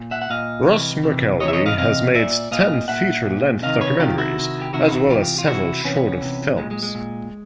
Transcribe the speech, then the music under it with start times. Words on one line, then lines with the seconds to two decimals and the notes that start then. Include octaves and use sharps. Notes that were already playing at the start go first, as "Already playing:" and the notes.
Ross McElwee has made ten feature-length documentaries as well as several shorter films.
Already playing: A#2
0.11 E5 F#5
0.22 F#5
0.30 A#2 D#5 F5
0.67 C3 E3
1.04 C3 E3
1.40 C3 E3 C#5 D#5
1.48 E5
1.53 C#5 D#5
1.66 D#5 F5
1.78 C3 E3 D#5 F5
2.14 A#2 D5 E5
2.51 A#2 D#5 F5
2.88 A#2 E5 F#5
3.26 A#2
3.62 C3 D#3 D#5 F5
3.81 B4 C#5
3.99 C3 D#3 F4 G4
4.18 E4 F#4
4.36 C3 D#3
4.62 G4
4.73 C3 D#3 E4 F#4
4.88 F4
4.92 E4 F#4
5.10 C3 E3 F4 G4
5.38 F4
5.47 C3 E3 E4 F#4
5.84 C3 E3 B3 C#4
6.21 C3 E3
6.58 A#2 G#3
6.71 G#3
6.83 G#3
6.95 A#2